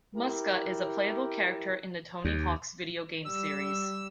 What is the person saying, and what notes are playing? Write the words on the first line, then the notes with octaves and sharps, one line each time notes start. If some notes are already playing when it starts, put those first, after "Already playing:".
Muska is a playable character in the "Tony Hawk's" video game series.
E4 G4 A#4
D#2
G3 E6